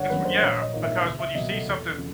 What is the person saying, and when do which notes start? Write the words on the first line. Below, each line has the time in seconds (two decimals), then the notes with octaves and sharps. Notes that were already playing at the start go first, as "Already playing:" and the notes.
That's what yeah, because when you see something
Already playing: G1 C#5 F#5
0.10 F#2 D3 F#3 A#3 B4
0.25 C5
0.41 A#1 C#5
0.62 D#5
0.73 G#2 F3 A#3 D#5
0.83 E5
1.04 C#2 E5
1.20 E5
1.35 B2 F#3 A#3 D#5
1.51 A4
1.66 E2
1.98 C#3 F3